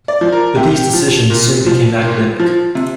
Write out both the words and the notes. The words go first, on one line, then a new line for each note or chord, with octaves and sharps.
But these decisions soon became academic.
D5
F3
A#4
C3 G4
F3
A#2
F3
A#2
F3
C3